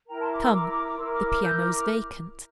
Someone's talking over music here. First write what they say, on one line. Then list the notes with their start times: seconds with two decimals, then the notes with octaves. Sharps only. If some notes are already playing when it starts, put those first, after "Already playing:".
Come! the piano's vacant.'
0.08 E4 A#4 G5 A#5
0.19 A5 C6
0.31 A#5 D6
0.42 C6 E6
0.52 E4 A#4 A#5 D6
0.68 A#5 D6
0.83 A#5 D6
0.97 E4 A#4 C6 E6
1.12 D6 F6
1.27 D6 F6
1.42 E4 A#4 E6 G6
1.58 D6 F6
1.72 D6 F6